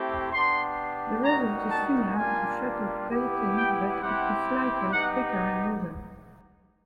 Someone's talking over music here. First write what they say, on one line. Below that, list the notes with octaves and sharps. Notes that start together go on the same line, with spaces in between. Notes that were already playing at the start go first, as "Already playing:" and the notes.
The result is similar to shuttle tatting but is slightly thicker and looser.
Already playing: A3 C4 E4 G4
B3 D4 G4 C6
G3 A#3 D#4 F#4 A#5
A5
G3 A#3 D4 F4 G#5
B3 E4 G4
G5
C4 E4 G4 F#5
B3 D#4 G4 F#5